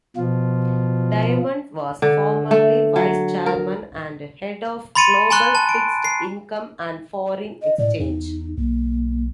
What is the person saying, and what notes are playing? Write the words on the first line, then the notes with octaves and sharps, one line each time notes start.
Diamond was formerly Vice Chairman and Head of Global Fixed Income and Foreign Exchange.
B2 F3 F4
D3
A3
F#3
A#4
B5 C6 A6 C#7 D#7
G#5 A#5 C6 C#6 F#6
A5
D7
C7
D#5
A2 D5
E2 D#4
B1 A#3